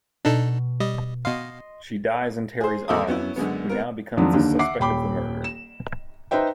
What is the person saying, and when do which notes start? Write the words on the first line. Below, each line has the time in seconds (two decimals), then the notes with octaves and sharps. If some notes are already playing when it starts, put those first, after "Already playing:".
She dies in Terry's arms who now becomes the suspect of the murder.
0.25 B2 D4 D#4 A4
0.80 G3 D#5
1.25 B2 D#5 F5 C6
2.61 G#4 C5
2.88 G#1 D#2 A4 E5 D6 D#6
3.07 F#3 B3 C#4 E4
3.36 F#2 D3 G#3 B3
3.69 B3 A#4
4.17 F2 D#3 F3 F#3 D4
4.33 D#2 D3 D#3
4.59 E5 F#5 D6 C7
4.80 D#1 G5 B5 D6
5.44 E7
6.31 D#4 B4 C5 E5 G5